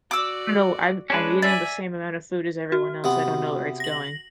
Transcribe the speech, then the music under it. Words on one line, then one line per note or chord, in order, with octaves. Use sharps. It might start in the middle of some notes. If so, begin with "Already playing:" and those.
I know I'm I'm eating the same amount of food as everyone else, I don't know where it's going.
F#4 D5 D6 E6
G#3 C#4 D4 B4
D5 E5 G#5
F#4
C3 B3
A#6 F#7